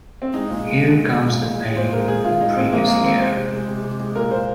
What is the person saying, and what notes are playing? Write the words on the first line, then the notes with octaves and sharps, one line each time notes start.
Here Comes the Pain the previous year.
C4
G#3 D#4
A#2
G#3
A#2
G#3
G#3
A#2
G#3
G#3
A#2 C5
G#3 A#4
G#3 G#4
G#3 F4
G#3 D#4
G#3 C4
G#3 A#3
G#3 A#3
G#3 C4
C3 C5
C3
G#3
C3
C3
G#3
A#2 A#4
A#2 C5